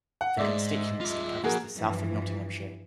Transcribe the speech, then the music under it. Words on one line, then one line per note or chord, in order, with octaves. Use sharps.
The constituency covers the south of Nottinghamshire.
F#5
G#2 G#3 D5 E5
F4 D#5
F3 A#3 F#4 G#4 A#4
G2 E3 F3